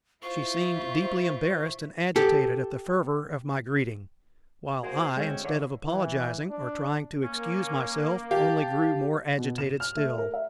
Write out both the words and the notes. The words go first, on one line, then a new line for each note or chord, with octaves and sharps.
She seemed deeply embarrassed and agitated at the fervor of my greeting; while I, instead of apologizing or trying to excuse myself, only grew more agitated still.
E4 F4 C5 C#6
G4 A4
A#3 F#4 G#4 C5
D2 G#3 C4 C#4
D3 E3 C#5 D5
E3
D4
A#3 C#4
G4 F5 A5
B2
E7
F6
A3
A#4
E5